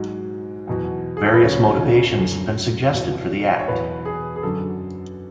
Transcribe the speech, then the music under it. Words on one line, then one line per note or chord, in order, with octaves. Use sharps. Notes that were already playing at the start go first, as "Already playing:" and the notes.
Various motivations have been suggested for the Act.
Already playing: G#2 F#3
E2 B2 F#3
G#4
A4
B4
D2 C#3 F#3 C#5
F#2 D3 F#3
E2 B2 F#3
C#5
E2 B2 F#3 B4
G#4
G#4
F#2 D3 F#3 A4